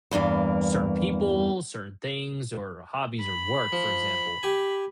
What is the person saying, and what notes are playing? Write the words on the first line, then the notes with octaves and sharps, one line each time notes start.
certain people, certain things, or hobbies or work, for example.
E2 G2 E3 A#3
B5
F3
G4 G#5